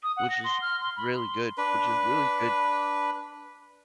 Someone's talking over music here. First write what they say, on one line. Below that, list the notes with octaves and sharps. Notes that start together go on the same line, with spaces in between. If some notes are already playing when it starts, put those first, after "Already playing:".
which is really good which is really good
D#6
F#5
A#6
C6
F6
C6
B5
C6
D4 B4